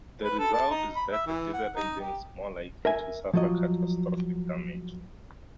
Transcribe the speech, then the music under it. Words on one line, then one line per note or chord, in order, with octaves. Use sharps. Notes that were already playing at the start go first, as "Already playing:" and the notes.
The result is that a diesel engine is more likely to suffer catastrophic damage.
B4
A4
A5
D#4
B5
E5
E3
F#5
D#4
G4
A#4 E5 G#5
F3 F#3 D#5